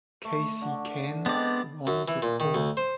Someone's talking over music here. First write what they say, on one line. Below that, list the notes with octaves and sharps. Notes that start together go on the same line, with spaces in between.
Kasey Kahne won the pole.
A3
D3
G#3 B3 C4 D4 D5
F#2
E3
A#2
D#3
D2
C5